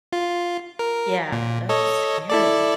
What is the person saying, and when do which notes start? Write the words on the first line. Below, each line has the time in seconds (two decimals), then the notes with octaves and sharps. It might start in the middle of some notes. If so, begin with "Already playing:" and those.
Yeah, that's scary.
0.13 F4
0.79 A#4
1.32 A#2
1.69 A4 C#5 D#5
2.30 E4 A4 D5